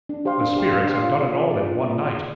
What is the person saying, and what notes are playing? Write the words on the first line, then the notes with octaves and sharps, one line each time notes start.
The Spirits have done it all in one night.
D4
G4 C5 F5 C6
D4
G4 C5 F5 C6
D4
G4 C5 F5 C6
F4
G#4 D5
F4
G#4 D5
F4
G#4 D5
F4
G#4 D5